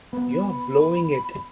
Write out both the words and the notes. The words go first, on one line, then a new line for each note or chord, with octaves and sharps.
You're blowing it!
B3 B5